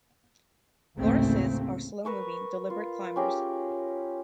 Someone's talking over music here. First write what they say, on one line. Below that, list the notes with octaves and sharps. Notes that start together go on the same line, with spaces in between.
Lorises are slow-moving, deliberate climbers.
A1 D2 C#3 A3 A#3 C4
A#4 B4 C#6 E6
F4
C#4 G4 G#4 A#4